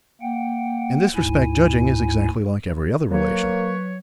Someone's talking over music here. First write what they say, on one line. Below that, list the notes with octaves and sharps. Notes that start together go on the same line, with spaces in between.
In this respect, judging is exactly like every other relation.
A#3 F#5 G5
D2 G#2 E4 G#5
F#3 A#3 B4 C#5